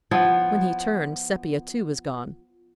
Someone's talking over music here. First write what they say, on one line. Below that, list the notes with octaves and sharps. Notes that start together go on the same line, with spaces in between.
When he turned, Sepia too was gone.
F3 B3 E4